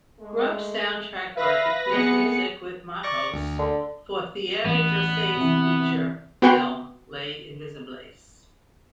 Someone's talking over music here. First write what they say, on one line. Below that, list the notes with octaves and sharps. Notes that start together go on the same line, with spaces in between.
Grubbs's soundtrack work includes music with Matmos for Thierry Jousse's feature film "Les Invisibles".
G#3 A3
B4 E5 F5 A#6
C3 B3 G#4 C#7
D5 C#6 A#6
D2
D3
A1 B3
C3 E3
B3 F#4 B4 F#5 G5 C6